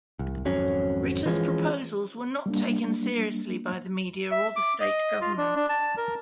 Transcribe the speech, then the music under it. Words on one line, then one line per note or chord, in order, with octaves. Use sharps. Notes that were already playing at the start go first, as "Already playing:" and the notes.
Ritter’s proposals were not taken seriously by the media or the state government.
C2
G#1 F2 F#3 C#4
E3 F3 G#3 C#4
G3 A#3 D4
E5
D6
D#5
F4
D4
D4
A5
A#4